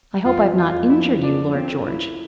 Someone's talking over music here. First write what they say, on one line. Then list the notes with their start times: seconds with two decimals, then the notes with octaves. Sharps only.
"I hope I have not injured you, Lord George."
0.25 F2 F4
0.41 F3
0.57 F3 F4
0.73 F2
0.90 F3 E4
1.06 A#3
1.22 D4 F4
1.38 F3
1.54 C4 F4
1.72 A4
1.87 E4 F4
2.04 F4